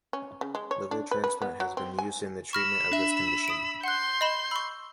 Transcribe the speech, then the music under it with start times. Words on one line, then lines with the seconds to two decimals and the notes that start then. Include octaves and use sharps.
Liver transplant has been used in the treatment of this condition.
0.13 C#4
0.41 C#3
0.55 G#3
0.71 C#5
0.91 D4
1.11 B4
1.24 B4
1.42 B3
1.60 F#3
1.77 C4
1.99 G#5
2.53 B5 C#6 E6 F6 A#6
2.92 D4 E5
3.48 D#6 D7
3.84 F#5 C6 F#6 G6
4.21 D#5 B5 E7
4.51 B5 C#6 E6